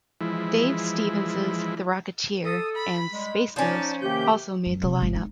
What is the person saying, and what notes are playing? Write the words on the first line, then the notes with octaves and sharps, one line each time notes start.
Dave Stevens's "The Rocketeer" and "Space Ghost" also made the line-up.
E3 F3 G#3 E4
A4 D#6
B5
G3 G#3
F3 C#4 D#4 D5 A5
C3 D#3 A#3 G4 G6
F#2
C3
G#1
D#4